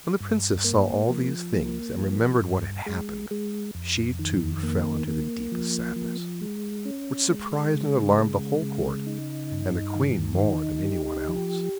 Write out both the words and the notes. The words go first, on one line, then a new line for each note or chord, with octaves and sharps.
When the Princess saw all these things, and remembered what had happened, she, too, fell into the deepest sadness, which surprised and alarmed the whole Court, and the Queen more than anyone else.
G2
A#3
F3
A#3
F3
G2
G#3
G#3
F2
D#3
A#3
A#3
F3
F3
G#3
C#4
G#3
C#3
G#3
C#3
D#4
G2
D#3
D#4
G4
F3